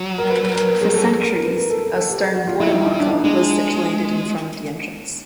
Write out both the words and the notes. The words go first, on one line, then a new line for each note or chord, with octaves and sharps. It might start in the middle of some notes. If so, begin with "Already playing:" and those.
For centuries a stone border marker was situated in front of the entrance.
Already playing: F#3
A#4
B4
B4
A#4
A#4
G#4
A4
A#4
A#4
A#4
B4
A#4
A4
A4
A4
G4
G#4
F#4
F4
F#3 E4
G3 D#4
D#4
D4
D#4
G#3 D4